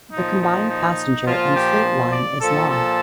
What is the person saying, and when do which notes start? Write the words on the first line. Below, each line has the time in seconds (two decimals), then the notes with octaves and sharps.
The combined passenger and freight line is long.
0.12 A#2 F3 D#4
0.41 D#4
0.70 D#4
1.27 A#2 F3 F4
1.55 G4
2.12 D5
2.40 A#2 F3 A4
2.69 A4